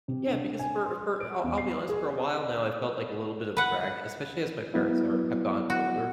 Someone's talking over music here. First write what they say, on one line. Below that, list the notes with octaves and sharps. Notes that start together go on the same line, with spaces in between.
Yeah, because for for, I'll I'll be honest, for a while now, I felt like a little bit of a drag, especially as my parents are have gotten older.
C3
D4
G#5
C6
D7
E2
C7
G#4
B4 F#5
F#3 B3 E4
F#4